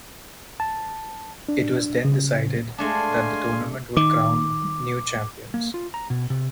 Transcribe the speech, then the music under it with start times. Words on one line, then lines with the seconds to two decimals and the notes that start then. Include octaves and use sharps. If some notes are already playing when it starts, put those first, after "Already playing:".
It was then decided than the tournament would crown new champions.
0.60 A5
1.49 D4
2.05 C#3
2.78 G#3 A3 D4 F5 G#5 C6
3.97 D#3 D6
5.54 A#3
5.74 F4
5.94 A#5
6.10 B2
6.30 C3